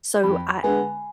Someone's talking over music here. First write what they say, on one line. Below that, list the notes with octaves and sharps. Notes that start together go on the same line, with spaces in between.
so I
F2 B5
D3 G#3 B3 G#5